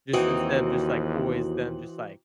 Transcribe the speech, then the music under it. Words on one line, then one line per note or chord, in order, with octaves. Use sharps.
Just instead of just, like, always them just, like,
D#2 E3 C4 D#4 F#4